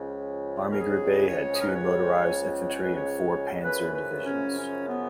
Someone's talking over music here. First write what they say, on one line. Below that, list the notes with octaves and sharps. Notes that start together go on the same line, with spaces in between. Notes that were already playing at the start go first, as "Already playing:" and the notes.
Army Group A had two motorised infantry and four "panzer" divisions.
Already playing: C#2 C#3 F3
A#4
G#4
C#5
G#4
A#4
B4
C#5
C#5
B4
C#5
F#2 C#3 F3 B4
B4
C#4
C#4
B3